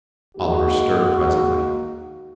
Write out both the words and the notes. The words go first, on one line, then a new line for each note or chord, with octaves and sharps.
Oliver stirred presently.
D#3 G#3 A#3 F#4